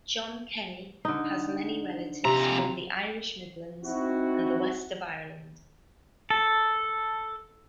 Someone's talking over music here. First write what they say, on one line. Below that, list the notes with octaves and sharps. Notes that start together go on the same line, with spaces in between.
Jon Kenny has many relatives from The Irish Midlands and the West of Ireland.
D3 D#4
F2 C3 A#5
C4 D#4 E4 F#4
A4